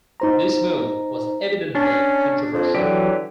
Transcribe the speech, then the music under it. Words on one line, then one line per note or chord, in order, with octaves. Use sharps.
This move was evidently controversial.
D#4 C5 A#5
C#4 D4
F2
D3 E3 F#3 G4